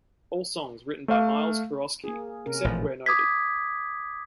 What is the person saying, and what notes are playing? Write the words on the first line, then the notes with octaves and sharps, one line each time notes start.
All songs written by Miles Kurosky, except where noted.
A3 F5
A#3 G#4
C3 C#4 A#4
A1 A#2 F3
D6 D#6 G#6 B6